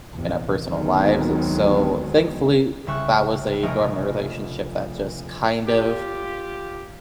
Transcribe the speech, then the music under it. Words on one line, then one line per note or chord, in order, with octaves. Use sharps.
in our personal lives. So, thankfully, that was a dormant relationship that just kind of
A#1 E2 C3
D2 D#3 F#3 G#3 B3 C4
C2 C#3 E5 C#6 F#6
F1 A#1 A3 A#4 D#5 D7
F4 G4